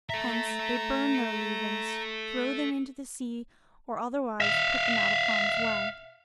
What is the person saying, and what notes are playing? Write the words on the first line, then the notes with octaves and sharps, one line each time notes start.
Hence they burn their leavings, throw them into the sea, or otherwise put them out of harm's way.
A4 E5 A#5
E5 F5